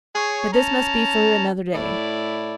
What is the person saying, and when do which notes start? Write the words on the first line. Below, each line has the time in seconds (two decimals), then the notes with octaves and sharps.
But this must be for another day.
0.14 G#4 C#5
0.52 C#4 A5 A#5
1.73 A2 E4 D5